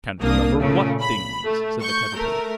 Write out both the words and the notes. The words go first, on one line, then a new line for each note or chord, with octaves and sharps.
'Can't remember WHAT things?' said the Caterpillar.
C2 A#3 D4 D#6
A#2 C#3 A3
B5
A3
C#6 G6
A3 A#4